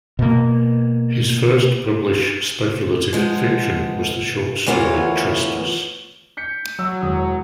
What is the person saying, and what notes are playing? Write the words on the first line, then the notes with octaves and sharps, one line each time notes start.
His first published speculative fiction was the short story Trespass!
B2 A#3
F3 G#3 B3
D2 E3 B3 F4 A#4 C#5
G6 B6 C#7
F#3 E6
E1 D#6